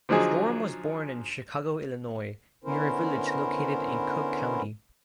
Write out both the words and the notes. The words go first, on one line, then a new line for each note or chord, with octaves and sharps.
Storm was born in Chicago, Illinois, near a village located in Cook County.
D3 F3 F#3 D#4 G#4
D3 B3 C#4 E4 A#4 C5